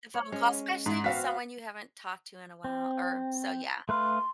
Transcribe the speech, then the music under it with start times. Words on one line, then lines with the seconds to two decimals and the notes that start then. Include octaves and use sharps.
a phone call, especially with someone you haven't talked to in a while, or so, yeah.
0.14 C#5
0.32 G#3 C#4
0.86 G#2
1.04 B3 C4 F#4 F5 B6
2.64 C4
3.89 A3 B4 F5 C6